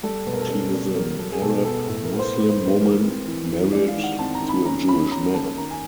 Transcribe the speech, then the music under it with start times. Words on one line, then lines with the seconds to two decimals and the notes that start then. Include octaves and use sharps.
She is an Arab Muslim woman married to a Jewish man.
0.03 G3 A4
0.27 B2 B4
0.33 A#4
0.41 A4
0.49 C#4 A#4
0.73 G3
0.96 F#3 A#4
1.18 F#3 A4
1.32 G#4
1.42 B2 A4
1.65 B3 A4
1.88 A2 A4
2.04 A#4
2.12 B3
2.19 C5
2.34 B3 B4
2.50 C5
2.57 B3
2.66 B4
2.81 E3 A#4
3.03 C4
3.27 E3
3.50 E3
3.73 G#3 D5
3.88 F5
3.96 D#3
4.03 F#5
4.19 C4 A5
4.34 A#5
4.42 D#3
4.49 B5
4.65 C#4 A#5
4.88 C#4 B5
5.11 C#4 A#5
5.34 A#3 A5
5.57 D#3 A#5
5.70 G#5